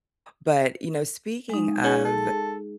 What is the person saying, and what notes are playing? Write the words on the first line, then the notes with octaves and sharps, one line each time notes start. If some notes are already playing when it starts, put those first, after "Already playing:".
But, you know, speaking of,
G#3 D#4
C#4 G#4
A4